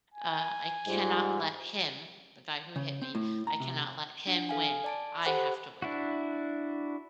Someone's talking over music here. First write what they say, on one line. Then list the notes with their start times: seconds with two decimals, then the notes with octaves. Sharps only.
uh, I cannot let him, the guy who hit me, I cannot let him win. I have to win.
0.14 G#5
0.88 G#2 G3 F4 D#5
2.76 C#3
3.02 C4
3.15 A2
3.47 A#5
3.60 C3
4.27 D4 F#5
4.49 A4 F5 G#5
4.84 D5 A5 D7
5.26 G4 A4 C5 F#5 B5 F#6
5.82 D4 E4 F#4